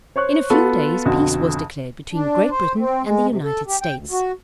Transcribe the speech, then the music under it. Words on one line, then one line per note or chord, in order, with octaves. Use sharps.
In a few days peace was declared between Great Britain and the United States.
C5 C#5 C#6 F#6
B3 F4 F#4 A4
B1 F2 D3 F#4
D4
C5
C4
G#3
C3
A4
G4
G5
D2
F#4